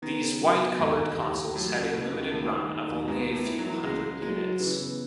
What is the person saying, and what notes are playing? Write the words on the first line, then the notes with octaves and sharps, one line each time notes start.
These white colored consoles had a limited run of only a few hundred units.
D#3 B3
C#3
F#3
B3
D#2 G#2
D#2
D#2
D#2
A2 F#3
C#2
C#2 B2
C#2
A2 D#3
D#4
D#4
D#2
G#2 B3
B3
A2
E4
F#3
E3
C#2 G#3
C#2
F#3 G#3
F#3
C#3 E3
B3